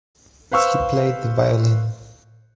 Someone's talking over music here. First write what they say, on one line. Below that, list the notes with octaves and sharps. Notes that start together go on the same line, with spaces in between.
He played the violin.
B4 C5 F5 C#6 E6